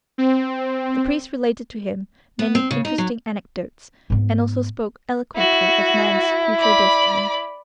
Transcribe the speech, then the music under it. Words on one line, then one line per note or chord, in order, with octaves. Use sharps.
The priest related to him many interesting anecdotes, and also spoke eloquently of man's future destiny.
C4
B3
C4
C#3
D#4
F#3
G#2 B3
E4 F#4
D5 B5